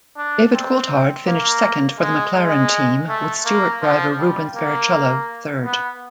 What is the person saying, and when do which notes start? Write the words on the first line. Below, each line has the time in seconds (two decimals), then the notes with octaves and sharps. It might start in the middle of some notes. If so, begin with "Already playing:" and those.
David Coulthard finished second for the McLaren team with Stewart driver Rubens Barrichello third.
0.17 D4
0.54 C4
1.27 A#3
1.99 G#3
2.36 G#3
3.09 A3
3.46 A#3
3.82 F3
4.18 G3
4.55 A#3
5.64 B3